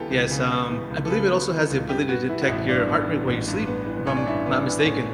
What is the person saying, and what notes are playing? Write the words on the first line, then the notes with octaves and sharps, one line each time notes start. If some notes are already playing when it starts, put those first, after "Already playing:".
Yes, um, I believe it also has the ability to detect your heart rate while you sleep, if I'm not mistaken.
Already playing: C#2 C#3 E3 B3 G4 A4
C#2
C#3
B3
E3
C#2
A4
C#3 B4
B3
E3
C#2
G2 G4
B3 F#4
E3 E4
F#4
A1 E4
G2 D4
B3
E3
A1
G2
B3
E3
B3
A1 C#4
D4
G2 E4
B3
D4
E3
C#4
A1